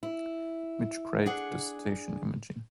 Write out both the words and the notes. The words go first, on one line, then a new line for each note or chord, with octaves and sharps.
Mitch Craig does station imaging.
E4
D4 G#4 F#5